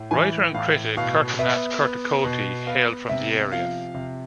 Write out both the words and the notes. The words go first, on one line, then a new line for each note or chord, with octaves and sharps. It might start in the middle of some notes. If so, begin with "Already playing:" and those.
Writer and critic Kirtinath Kurtakoti hailed from the area.
Already playing: A2
E3 G#5
A2 F5
B2 F5
B3 E5
B3
B2
B3 F5
C3 E5
F3 F5
C3